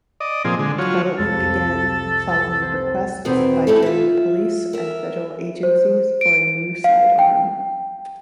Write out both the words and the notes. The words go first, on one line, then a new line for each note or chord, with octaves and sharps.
Development began following requests by German police and federal agencies for a new sidearm.
D5 D#5
A#2 F3 C4 G#4
D3 G#3
F#3 F4 C#5
C2 F2 A4
C5
E2 B2 D#3 E3 C4
E3 A3 C#4 E4 G4 A4
F4 E5
A#4 E5
C5
D7
F5
G5